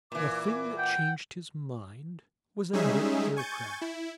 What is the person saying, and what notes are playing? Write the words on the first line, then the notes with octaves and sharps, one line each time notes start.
The thing that changed his mind was another aircraft.
A#2 E3 D6
F#5 G5
G3 G#3 C#4 D#4 G#4 E5
G#5 C#6 G6 A6
E4